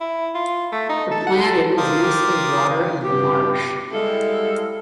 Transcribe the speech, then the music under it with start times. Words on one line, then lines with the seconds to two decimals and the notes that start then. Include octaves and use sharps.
The planet is mostly water and marsh.
0.01 E4
0.35 F4
0.72 A3
0.89 D#4
1.11 A4
1.27 F#5
1.44 A4
1.77 G4 A#4 C5 D5 F5 D#6
3.04 G2 B3 G4
3.93 G3 G#3 E4 A4 F5